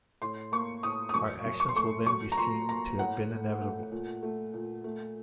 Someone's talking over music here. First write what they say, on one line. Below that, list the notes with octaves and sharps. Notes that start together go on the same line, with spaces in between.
Our actions will then be seen to have been inevitable.
A2 C6
A#3 C#6
A2 D#6
D#6
F#2 C#6
F#2
C#6
C6
A3 C#6
F#3 C#6
A#5
A#2 C6
A#3 A#5
A2 F#5
A3
A3
A#2
A3
A#2
A3